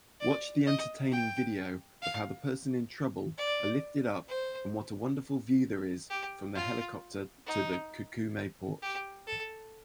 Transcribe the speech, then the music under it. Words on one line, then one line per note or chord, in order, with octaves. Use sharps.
Watch the entertaining video of how the person in trouble are lifted up and what a wonderful view there is from the helicopter to the Kakumäe port!
D5
D#5
G5
F5
D5
C5
G4
F4
D#4
G4
A4